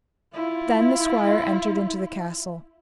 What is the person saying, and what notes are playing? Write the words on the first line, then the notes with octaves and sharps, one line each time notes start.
Then the squire entered into the castle.
E4 F4